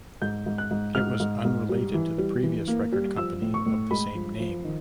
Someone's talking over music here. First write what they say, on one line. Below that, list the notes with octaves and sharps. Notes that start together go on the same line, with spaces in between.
It was unrelated to the previous record company of the same name.
G#2 G6
G#2
F#6
G#2
G#2 F6
G#2
G#2
G3
E3
G3
E3
A#3
G3
F3 E6
A2
C#6
A2
G#3 B5
F3
F3
D#3